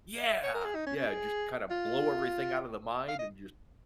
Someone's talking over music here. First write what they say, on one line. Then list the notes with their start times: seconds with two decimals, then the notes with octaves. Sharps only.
Yeah. Yeah, just, kinda, blow everything out of the mind, and, just,
0.43 C#5
0.54 A#4
0.65 G#4
0.75 D#4
0.86 C#4
0.97 C#4
1.07 G#4
1.71 F4
3.08 F5
3.19 D#5